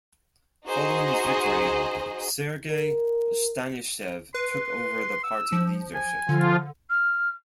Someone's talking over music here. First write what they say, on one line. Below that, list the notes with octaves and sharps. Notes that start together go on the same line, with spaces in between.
Following his victory, Sergei Stanishev took over the party leadership.
D#4 F#4 G#4 C5 D#5
A#4
B4 C6
E6
F3
G#5
D3 F3 F4
F6